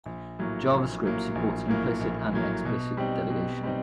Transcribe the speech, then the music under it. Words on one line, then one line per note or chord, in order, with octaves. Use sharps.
JavaScript supports implicit and explicit delegation.
A#1
A2 F#3 A#3
A#1
A2 F#3 A#3
A#1
A2 F#3 A#3
A#1
A2 F#3 A#3
B2
G3 C4 D#4
B2
G3 C4 D#4